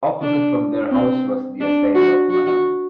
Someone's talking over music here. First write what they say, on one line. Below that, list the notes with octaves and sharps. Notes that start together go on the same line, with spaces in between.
Opposite from their house was the estate of Mme.
D4
C4
D4
F#4
F#4